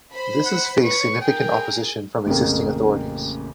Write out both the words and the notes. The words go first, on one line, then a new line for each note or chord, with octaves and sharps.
This has faced significant opposition from existing authorities.
C5 B5
F#5
B4 C#5 C#6
G#4 A#4 G5
A1 F2 C#3 A#3 G5